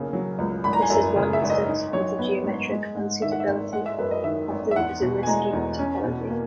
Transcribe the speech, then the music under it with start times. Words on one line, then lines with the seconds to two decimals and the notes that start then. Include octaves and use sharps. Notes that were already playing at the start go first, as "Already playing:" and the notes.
This is one instance of the geometric unsuitability of the Zariski topology.
Already playing: B1 C#3 A#3
0.13 F#3
0.39 C#2
0.64 G#1 B5
0.73 A#5
0.82 G#5
0.90 F#2 A#5
1.16 C#3
1.33 E5
1.41 G#1
1.50 D#5
1.67 D#4
1.93 F#3 C#5
2.19 B3
2.44 G#2
2.70 G#3
2.95 G#2
3.22 D#3 E5
3.32 F#5
3.40 E5
3.47 G#1
3.73 G#3 F#5
3.86 E5
3.99 F#2 B4
4.11 D#5
4.24 D#3 E5
4.50 G#1
4.71 E5
4.76 E2 F#5
5.02 B2
5.23 G#5
5.27 G#3 A#5
5.53 E2
5.79 C#4
6.04 B2
6.30 A#3